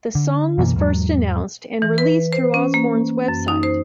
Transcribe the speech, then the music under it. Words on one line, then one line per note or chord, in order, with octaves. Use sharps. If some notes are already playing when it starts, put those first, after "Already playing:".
The song was first announced and released through Osbourne's website.
D3
F#2 B2 E3 A#3
E2 G#2 F#3
E3
B4
C5
C#4
A#3
F#2
D#4
C5